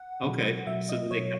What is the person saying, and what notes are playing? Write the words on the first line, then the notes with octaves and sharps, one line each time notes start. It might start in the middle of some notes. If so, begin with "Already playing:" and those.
Okay. So, do they ki
Already playing: F#5
B2 F#3
B2 F#3 E5
D#5
B2 F#3 C#5